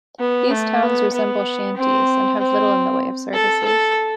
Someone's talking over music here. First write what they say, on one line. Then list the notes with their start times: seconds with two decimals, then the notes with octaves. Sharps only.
These towns resemble shanties, and have little in the way of services.
0.20 B3
0.51 A3
0.82 B3
1.14 B3
1.76 C4
2.39 C4
3.33 A4
3.65 A4